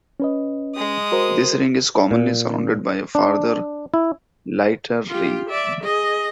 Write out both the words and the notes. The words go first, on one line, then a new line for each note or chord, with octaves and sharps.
This ring is commonly surrounded by a farther lighter ring.
C#4 B4 D#5
G#3 D#6
F#4 A#4 C5
A#2
D4
E4
F4 G4
D5 E5
G#4 D#5